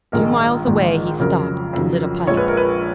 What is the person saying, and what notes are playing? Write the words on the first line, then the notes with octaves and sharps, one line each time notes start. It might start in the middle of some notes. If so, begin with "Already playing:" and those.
Two miles away he stopped and lit a pipe.
A#1 G#2 D#3 G#3 A#4
A#1 G#2 D#3 G#3
F2 C#3 F#3 A#4
F2 C#3 F#3
A#1 A#2 F3 G#3 C#5
B4
A#4
B4